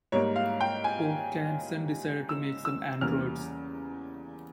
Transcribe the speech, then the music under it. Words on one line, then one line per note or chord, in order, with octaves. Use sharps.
Vaucanson decided to make some androids.
G#2 G3 A#3 C#5
F5
G5
G#5
E6
E6
E2 C#3 G3 A#3 F6